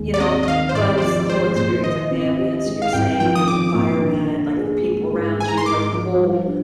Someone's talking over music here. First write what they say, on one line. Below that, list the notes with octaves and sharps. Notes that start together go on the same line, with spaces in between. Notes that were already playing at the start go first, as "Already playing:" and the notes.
you know, but it's the whole experience, like the ambiance you're saying and the environment, like, the people around you, like, the whole
Already playing: D#2 G#3
D5
C4 D#5
D#5
D#3 F5
C5
C2 D5
C5
F3 D5
G#3 C5
A#2 C5
D#3 D#5
C4
G4
G#3
F5
C2 G5
F3 G5
D#6
C4 D6
A#2
D3
D4
G#4
G#3
G#2
G#3 G#5
A#5
C6
G#2 D6
F3
G3
D4